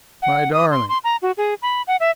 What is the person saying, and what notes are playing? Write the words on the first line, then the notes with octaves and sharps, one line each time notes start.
My darling!
F#5
D#6
C6
C6
A#5
F#4
G#4
B5
F#5
E5